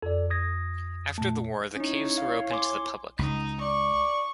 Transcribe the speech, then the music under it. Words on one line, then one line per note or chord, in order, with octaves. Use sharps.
After the war the caves were opened to the public.
F2 A4 D5
D#6 G#6 A#6
A#2 A3 A5
C#4 D#4 E4 C#5
F5
G#5 C6 D6
C#2 D#4
D5 C#6